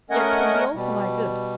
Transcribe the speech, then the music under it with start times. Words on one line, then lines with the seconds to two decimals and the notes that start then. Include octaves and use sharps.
Yet 'twould be all for my good.
0.10 A3 C#4 A#4 D#5 F#5 G#5
0.74 B2 G3